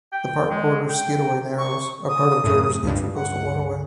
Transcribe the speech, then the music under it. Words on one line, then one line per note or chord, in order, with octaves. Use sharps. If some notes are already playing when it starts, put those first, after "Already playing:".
The park borders Skidaway narrows, a part of Georgia's intracoastal waterway.
G5
G#3
G5
C#6
D#6
F#2 A2
C#2 G2
F#5